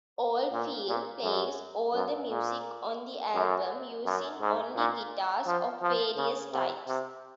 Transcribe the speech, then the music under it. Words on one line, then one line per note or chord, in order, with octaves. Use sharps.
Oldfield plays all the music on the album, using only guitars of various types.
A#2
A#2
F#2
F#2
A#2
F#2
F#2
G#2
A#2
F3
F3
C#3
C3
C3